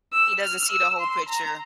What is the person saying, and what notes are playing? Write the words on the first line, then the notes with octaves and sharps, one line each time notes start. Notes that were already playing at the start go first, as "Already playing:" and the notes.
He doesn't see the whole picture.
E6
F6
E6
C6
A#5